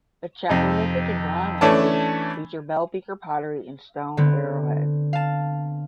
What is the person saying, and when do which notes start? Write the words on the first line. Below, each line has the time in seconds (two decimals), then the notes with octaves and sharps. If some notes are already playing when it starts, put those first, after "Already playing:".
The Chalcolithic and Bronze Age feature bell beaker pottery and stone arrowheads.
0.49 F2 C3 D#4
1.61 E3 A3 C#4 D4 A5
4.17 D3 B3 C4
5.13 F5 A5